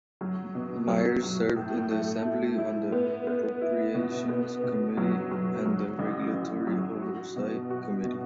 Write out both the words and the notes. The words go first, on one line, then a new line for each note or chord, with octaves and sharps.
Myers served in the Assembly on the Appropriations Committee and the Regulatory Oversight Committee.
F#3
B2
F#3
F#3
A2
A3
E4
E4
B3
B3
E4
B2
B3
B2
F#3
F#3
F#3
A1
A1
F#3
F#4
B2
F#4
B2